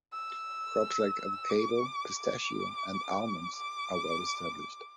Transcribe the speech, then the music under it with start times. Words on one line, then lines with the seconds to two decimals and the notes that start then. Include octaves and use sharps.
Crops like avocado, pistachio and almonds are well established.
0.12 E6
1.49 D6
2.18 D6
3.56 D6